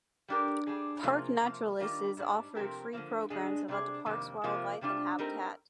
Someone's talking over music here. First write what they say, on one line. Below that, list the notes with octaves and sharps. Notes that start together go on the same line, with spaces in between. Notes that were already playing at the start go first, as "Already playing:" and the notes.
Park naturalists offered free programs about the park's wildlife and habitat.
G3 D4 G4 A#4
G3 D4 G#4
C3 F3 A#3 F4 G#4
C3 F3 A#3
D#3 G3 D4 F4 A#4
G#2 G3 D4
C3 F3 C4 G4 A#4
D3 F3 A#3
G2 D3 G#3 D4 G#4
C3 G3 D4 G#4
F2 C3 D#3 A#3
C3 F3 A#3 F4
C3 G3 D4 F4
G3 C4 D#4 G4 A#4